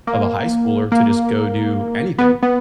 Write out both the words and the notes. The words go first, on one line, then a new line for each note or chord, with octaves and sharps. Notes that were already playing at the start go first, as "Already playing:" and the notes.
of a high schooler to just go do anything,
A#3
A#3
B3
B3